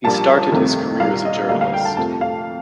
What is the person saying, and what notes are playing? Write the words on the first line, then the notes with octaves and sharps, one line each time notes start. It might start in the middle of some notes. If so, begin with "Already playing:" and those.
He started his career as a journalist.
A#1 A#2 G3 A#3 A5
G1 F2 C3 D#3 A3
C2 A#2 G3 A#3 F5
D#5
D2 D3 G3 A#3 F5
F5
G5
A5
F2 C3 F3 A3 A5
F5